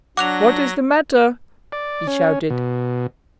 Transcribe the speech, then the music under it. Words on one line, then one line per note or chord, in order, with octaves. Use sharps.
"What is the matter?" he shouted.
F#3 D4 F#5 D6 F#6 A#6 F7
D5
C#4
B2